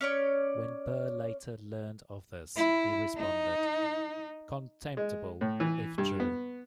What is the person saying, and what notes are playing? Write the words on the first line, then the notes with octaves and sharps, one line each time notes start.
When Burr later learned of this, he responded: Contemptible, if true.
C#4 C#5 D5
E4
D#4
G#3
A2
E3
G2
B3